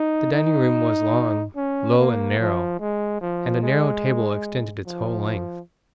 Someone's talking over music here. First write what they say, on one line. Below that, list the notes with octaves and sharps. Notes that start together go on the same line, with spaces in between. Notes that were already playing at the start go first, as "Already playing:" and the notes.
The dining room was long, low and narrow, and a narrow table extended its whole length.
Already playing: D#4
D#4
C#4
A#3
F3
G#3
F3
G#3
F3